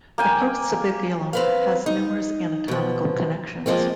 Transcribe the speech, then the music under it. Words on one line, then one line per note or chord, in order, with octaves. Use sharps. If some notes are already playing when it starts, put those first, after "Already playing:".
The postsubiculum has numerous anatomical connections.
A#3 G5 G#5
C4 B4 F5
D#4
B2 F3
F3 G#3 A#3 C4